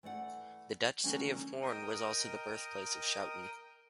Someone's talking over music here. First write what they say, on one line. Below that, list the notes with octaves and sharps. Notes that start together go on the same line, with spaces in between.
The Dutch city of Hoorn was also the birthplace of Schouten.
E3 A3 D5 F#5
D#3 F#3 A3 A#3 C#4 D4
A#4 D#5 G5 D#6